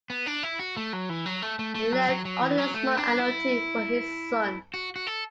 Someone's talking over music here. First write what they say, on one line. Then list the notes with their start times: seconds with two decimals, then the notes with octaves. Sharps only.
He left only a small annuity for his son.
0.10 B3
0.26 D4
0.43 E4
0.59 F#4
0.77 A3
0.93 F#3
1.09 E3
1.26 F#3
1.42 A3
1.59 A3
1.75 A3
1.92 F#3
2.09 F#3
2.25 F#3
2.42 E3
2.58 F#3
2.74 A3
2.97 D4
3.19 E4
4.74 F#4
4.96 F#4
5.07 A4